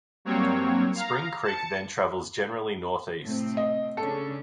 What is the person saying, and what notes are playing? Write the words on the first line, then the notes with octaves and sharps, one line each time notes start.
Spring Creek then travels generally northeast.
G2 F#3 A#3 C4 C#5
F5 A#5
A5 C#7
A2 C3 C4
D#5
C#3 C#4 D4 A4